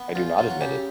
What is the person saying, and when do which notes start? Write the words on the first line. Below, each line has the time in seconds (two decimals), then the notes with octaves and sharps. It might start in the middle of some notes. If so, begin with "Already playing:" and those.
I do not admit it.
Already playing: B3
0.15 E2 F4
0.38 F#3 F4
0.50 F#4
0.61 C#3 G4